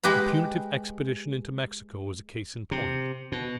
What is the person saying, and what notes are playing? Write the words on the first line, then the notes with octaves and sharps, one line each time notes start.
The punitive expedition into Mexico was a case in point.
G#3 G4 B4 B5
C3
B2